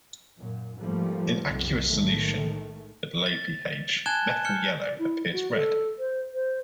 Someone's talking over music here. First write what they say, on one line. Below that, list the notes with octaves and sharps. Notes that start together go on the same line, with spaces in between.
In aqueous solution at low pH, methyl yellow appears red.
F#2 A#2
G#2 F3 G3 A3 A#3
B1 F2 C3 G3
A2 D#3 G#3 A3
A6
G#5 A5 F#6 G#6 E7 G7
F6 G6 C#7 G7
D5
E4
F#4
A4
C5
C5